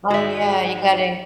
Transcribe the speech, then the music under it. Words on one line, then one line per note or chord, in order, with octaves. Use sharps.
Oh yeah, you got to
G#2 G#3 F#4 D5 E5